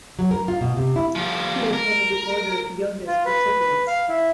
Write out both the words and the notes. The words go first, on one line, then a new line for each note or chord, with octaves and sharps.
He is one of the Order's youngest recipients.
F#3
A#4
F4
B2
C3
E4
F3 G3
A#4
F4
B4
B4
F5
E4